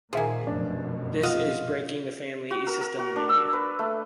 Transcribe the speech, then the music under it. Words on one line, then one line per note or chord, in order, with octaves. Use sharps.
This is breaking the family system in India.
A#2 D#3 F3 A#3 G#4 E5 G#5
F1 F#2 B2 D4
F4 F#4 D#5 F5
F#4
A#4
A#4
F#4
D4
E6
B4
A3